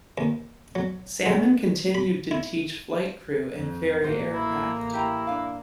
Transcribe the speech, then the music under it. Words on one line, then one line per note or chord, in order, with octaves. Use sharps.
Salmon continued to teach flight crew and ferry aircraft.
D#2
F#3
G#3
B5
E4
F2
A1 A#3 F#4 C5
E4
E4 G4 A#5
D4 F5